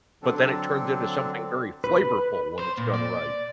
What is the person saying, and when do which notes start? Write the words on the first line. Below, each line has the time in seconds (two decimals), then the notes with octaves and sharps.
but then it turns into something very flavorful when it's done right.
0.22 D3 F#3 C4 D4 A4
1.84 B4
2.59 C5
2.78 A#2
2.94 D5